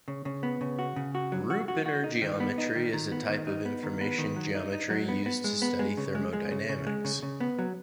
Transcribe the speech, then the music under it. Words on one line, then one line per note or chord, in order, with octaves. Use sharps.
Ruppeiner geometry is a type of information geometry used to study thermodynamics.
C#3
C#3
B3
C#3
F#4
C#3
F#4
F#3
F#4
F#4
F#4
D#4
D#3
B3
D#4
D#3
D#3
B3
D#3
D#4
B3
D#3
B3
D#3
F#3
D#4
D#4
F#3
B3
B3
G#3
B3
G#3
C#3
G#3
G#3
C#3
C#3
G#3
C#3
C#3
B3
F#3